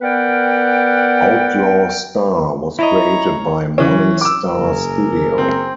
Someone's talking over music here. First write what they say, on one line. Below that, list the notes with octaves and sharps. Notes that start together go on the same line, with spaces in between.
"Outlaw Star" was created by Morning Star Studio.
B3 A#4 B4 D5 F#5 G5
E4 C#5 D#5 A#5
E3 C#4
D6 E6
F#1 G#4 A#4
C4